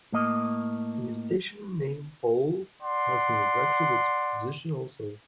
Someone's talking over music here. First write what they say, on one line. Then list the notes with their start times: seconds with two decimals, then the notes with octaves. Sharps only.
A new station name pole has been erected at the position also.
0.12 A2 A#3 D#5
2.81 D5 F#5 C6